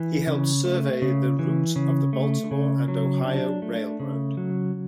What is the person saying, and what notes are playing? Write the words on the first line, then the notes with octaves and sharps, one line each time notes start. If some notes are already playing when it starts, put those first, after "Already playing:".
He helped survey the route of the Baltimore and Ohio Railroad.
Already playing: E3
C#3
A3
C#3
E3
C#3
A3
C#3
F#3
D4
A3
C#3
F#3